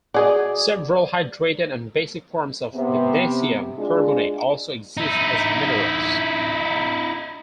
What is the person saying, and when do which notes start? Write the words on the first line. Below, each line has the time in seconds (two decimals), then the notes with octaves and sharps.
Several hydrated and basic forms of magnesium carbonate also exist as minerals.
0.14 F#4 G#4 D5 D#5
2.74 C3 B3
3.78 G#3 D4 F4
4.97 D#4 E4